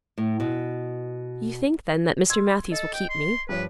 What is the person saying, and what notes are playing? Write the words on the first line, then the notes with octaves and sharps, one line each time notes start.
"You think then that Mr. Matthews will keep me?"
A2
B2
C6 E6 G#6
A4 D#5
G5
C6
G2 F3 B4 C#5